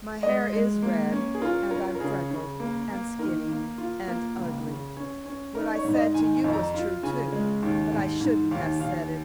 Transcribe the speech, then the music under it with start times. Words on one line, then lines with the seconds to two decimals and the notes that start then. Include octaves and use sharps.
My hair is red and I'm freckled and skinny and ugly. What I said to you was true, too, but I shouldn't have said it.
0.23 G#3 D#5
0.53 G#3
0.82 A#3
1.12 C#4
1.35 G#4
1.42 F4 A#4
1.71 C#4 A#4
1.95 A#4
2.00 C#3 G#4
2.31 C#3
2.60 A#3
2.90 A#3
3.18 D#3 A#4
3.49 A#3
3.78 F4
4.07 A#3
4.37 C#2
4.67 C#3
4.97 C#4
5.26 C#4
5.55 D#4 A#4
5.75 C#5
5.85 G#2
5.94 D#5
6.14 D#3 G#5
6.35 G#5
6.44 F2
6.53 A#5
6.74 F4
7.03 C#3 G#5
7.32 G#3
7.62 D#2
7.92 G#2
8.21 G#2
8.51 D#2 F5
8.80 D#2 F5